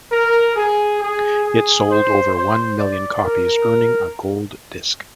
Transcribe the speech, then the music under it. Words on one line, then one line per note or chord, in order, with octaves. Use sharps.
It sold over one million copies, earning a gold disc.
A#4
G#4
G#4
G#4
C5
C5
D5
A#4